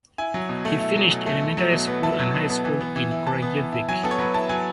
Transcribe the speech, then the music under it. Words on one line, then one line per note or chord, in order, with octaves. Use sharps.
He finished elementary school and high school in Kragujevac.
E4 G#5
F#3
B2
A3
E4
F#3
B2
A3
E4
F#3
B2
B3
E4 A5
F#3
B2
B3
E3
B3
E3
E4
E3 A5
B3
E3
E4
F#3 G#5
B3 A4
C#5
F#3 B4
E4 A5
F#3 G#5